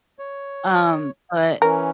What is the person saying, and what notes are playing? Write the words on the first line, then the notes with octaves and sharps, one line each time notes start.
um, but
C#5
E3 C#4 A#4